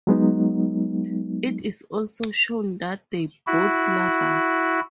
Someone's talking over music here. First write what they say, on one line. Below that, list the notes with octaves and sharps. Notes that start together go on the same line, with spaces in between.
It is also shown that they're both lovers.
F#3 G#3 B3 D#4
E4 F#4